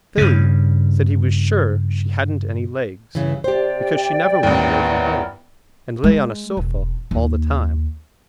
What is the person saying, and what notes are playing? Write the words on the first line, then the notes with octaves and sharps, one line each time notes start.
Philly said he was sure she hadn't any legs, because she never went away from home, and lay on a sofa all the time.
G2 C#3
G2 C#3 E3
C3 G4 C5 D5 G5
A1 D#2 B3 E4 A#4
G#3
E1
D#2